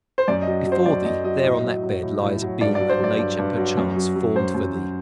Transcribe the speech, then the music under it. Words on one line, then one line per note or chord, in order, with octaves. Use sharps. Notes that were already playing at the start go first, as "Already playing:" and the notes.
Before thee, there on that bed, lies a being that nature, perchance, formed for thee.
C5
F#2 D5
D#5
F#3
F#3
C5
F#2 D5
F#2 D#5
F#3 D#5
A2 D#5
F#3
F#3
A2
A2
F#3
G2 D5
D5
F#3
C5
F#3 D5
G2
G2
F#3
F#2
F#3
F#3
F#2 C5
F#2
F#3